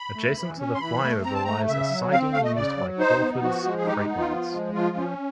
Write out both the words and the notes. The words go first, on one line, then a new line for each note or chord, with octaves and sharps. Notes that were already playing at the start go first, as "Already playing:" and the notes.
Adjacent to the flyover lies a siding used by Crawfords Freightlines.
Already playing: B5
A3
E3
C#4
C6
E3 B5
A3
C4 A#5
A5
A3 A#5
C#3 E5
F#3
C4 F5
A3 F5
D#5
C#3 D5
F#3
D#4 C5
B3
F3 F#4
G#3
G#4
D#4 G4
G4
B3
F4
F3
G#3
F3 F4
C#4